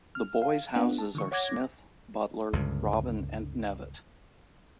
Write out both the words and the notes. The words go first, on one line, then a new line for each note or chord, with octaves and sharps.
The boys' houses are Smith, Butler, Robin and Nevett.
F6
F5
B3 D4 F4 F#5
A5
D3 E3 C#6
C#5 F#5 D6 G#6 A#6
C#2 G2 D3